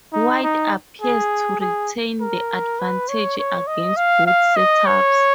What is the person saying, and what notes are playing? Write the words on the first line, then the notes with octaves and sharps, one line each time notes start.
White appears to retain the advantage against both setups.
D#4
D#4
G#4
G#4
A#4
B4
C#5
C#5
D#5
F5
F5
D#5
C#5